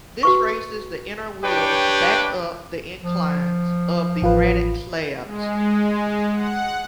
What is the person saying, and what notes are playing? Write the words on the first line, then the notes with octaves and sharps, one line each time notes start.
This raises the inner wheels back up the inclines of the granite slabs.
F#4 B4 C#6
D4 G4 B4 C#5 G5
F3
A1 F4 B4
G#3
F#5